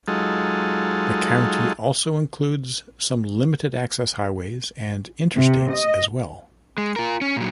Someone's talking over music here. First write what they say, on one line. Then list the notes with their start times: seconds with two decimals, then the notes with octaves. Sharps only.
The county also includes some limited access highways and Interstates as well.
0.08 F#3 G#3 D#4 F4 A4
5.35 C3
5.70 D#5
6.78 G#3
6.96 F4 A#4
7.21 C#4
7.37 A#2 F#3